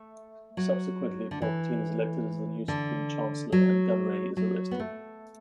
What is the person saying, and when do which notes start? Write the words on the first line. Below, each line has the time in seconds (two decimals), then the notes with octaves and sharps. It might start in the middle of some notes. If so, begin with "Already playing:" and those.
Subsequently, Palpatine is elected as the new Supreme Chancellor, and Gunray is arrested.
Already playing: A3
0.57 F#3
1.31 D3
1.42 E3
2.68 D3
3.52 F#3
4.37 F#3
4.71 B3
4.80 A3